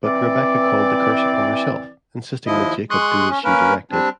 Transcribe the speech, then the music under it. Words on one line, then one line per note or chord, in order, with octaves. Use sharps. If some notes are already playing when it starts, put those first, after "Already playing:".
But Rebekah called the curse upon herself, insisting that Jacob do as she directed.
E3 C4 D5
D#2 F3 E4 D#5
G#3 C6 C#6 D#6 F#6
C#4
A#3 C#4 A#4 B4
G3 C4 D4